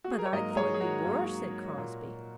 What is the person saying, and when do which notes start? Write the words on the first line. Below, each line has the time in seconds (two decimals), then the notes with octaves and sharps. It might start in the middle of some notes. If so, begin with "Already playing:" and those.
"But I thought you were," said Crosbie.
0.04 F#4
0.11 G#4
0.19 A#4
0.26 C#5
0.32 G#2 F#3 A#3 A#4 D#5
0.50 A#4
0.56 G#4 C#5
0.74 G#4
0.80 F#4 A#4
1.05 G#2 F#3 A#3
1.76 A#2 A#3